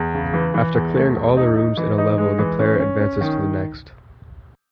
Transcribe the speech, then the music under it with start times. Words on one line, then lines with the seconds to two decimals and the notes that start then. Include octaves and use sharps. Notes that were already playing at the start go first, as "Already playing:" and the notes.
After clearing all the rooms in a level the player advances to the next.
Already playing: E2
0.14 C#3
0.33 E3
0.54 E3
0.74 E2
0.96 A3
1.16 E2
1.37 D#4
1.56 D#4
1.77 E3
1.98 D#4
2.18 G#3
2.38 E3
2.59 C#4
2.79 C#4
3.00 C#4
3.21 D#3